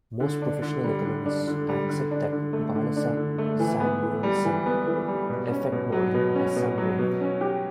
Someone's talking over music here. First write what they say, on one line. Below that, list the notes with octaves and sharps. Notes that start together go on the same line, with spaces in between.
Most professional economists accept that the Balassa-Samuelson effect model has some merit.
D3
D4
D3
G3
D3
D4
D3
G3
D3
D4
D3
A3
D3
D4
D3
A3
E3
B3
E3
G3
E3
B3
E3
G3
B2
C#4
B2
F#3
B2
C#4
B2
F#3
B2
C#4
G4